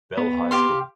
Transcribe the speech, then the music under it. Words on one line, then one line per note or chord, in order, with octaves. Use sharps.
Bell High School.
B3
G4 F5 C6